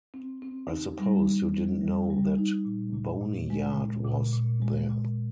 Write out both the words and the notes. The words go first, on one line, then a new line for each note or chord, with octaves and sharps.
I suppose you didn't know that boneyard was there.
C4
C4
D#4
G3
D#4
G3
G3
G3
D#4
A#2
A#2
A#2
G#3
A#2
A#2
A#2
G#3
A#2